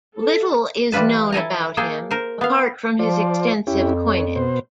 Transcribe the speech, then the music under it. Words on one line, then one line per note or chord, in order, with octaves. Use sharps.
Little is known about him, apart from his extensive coinage.
A4
E3 G3 F4 B4 A5
E4 A4 G#5 A#5
A#3 G#4 A4 G5
A#4 C5
B3 F5
F3 F4 C5 D5
F2 C#4 E4 G4
C#5
B2 C5